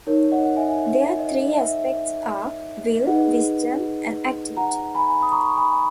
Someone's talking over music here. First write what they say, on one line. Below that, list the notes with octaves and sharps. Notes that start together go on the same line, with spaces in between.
Their three aspects are "Will", "Wisdom" and "Activity".
D#4 A#4 C#5
D#5 F#5
F#5
E5 G#5
E5
D#5
E5
D#4 G#4 B4 D#5 F#5
F#5 A#5
G#5 B5
D#6
A#5 C#6
G#5 B5